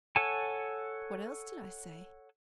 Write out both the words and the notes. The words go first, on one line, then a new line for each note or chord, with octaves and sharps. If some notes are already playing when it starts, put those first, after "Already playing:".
'What else did I say?
A4 C#5 F#5 G#5 A5